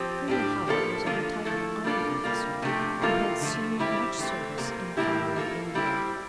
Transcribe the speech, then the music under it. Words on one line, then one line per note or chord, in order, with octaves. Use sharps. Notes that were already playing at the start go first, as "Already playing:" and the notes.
Colonel Howard was a retired army officer who had seen much service in far-away India.
Already playing: F3 C4 G4
A2 G3 D4 G4
A2 F3 A#3 E4 A4
D3 F3 A#3 F4
F3 A3 E4 A4
G3 A#3 D4 F4 A4
C3 G3 A#3 F4
C3 F3 A3 D4 G4
C3 E3 A#3 F4 A4
D3 F3 A3
G3 C4 E4 G4
E3 A3 C4
C3 G3 A#3
A2 G3 A#3 E4 G4
E3 A#3 F4 A4
G3 C4 E4 G4